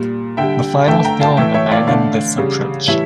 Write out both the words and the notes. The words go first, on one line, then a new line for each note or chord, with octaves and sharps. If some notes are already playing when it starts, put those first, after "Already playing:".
The final film abandoned this approach.
Already playing: A#2 G3
D3 G3 E5 G5
D3 A3 E5 G5
G5 A#5
F5 A5
A2 E3 A3 E5 G5
C#5 E5
D5 F5
D3 A3 D5 F5
C#3 G3
A2 E3 G3 C#5 E5